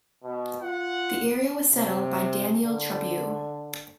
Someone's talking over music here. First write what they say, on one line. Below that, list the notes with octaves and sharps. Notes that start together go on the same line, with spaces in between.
The area was settled by Daniel Trabue.
B2
F4 F#5
C3
D3